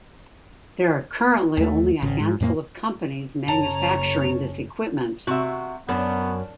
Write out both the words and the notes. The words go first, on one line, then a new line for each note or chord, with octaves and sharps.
There are currently only a handful of companies manufacturing this equipment.
D#2 A3
G#1 C#3
G#2
F2 A2 G3 A#3
F#1 C#4 C#5 A5 A#5
C3 F#4 E5
F#2 B3 D4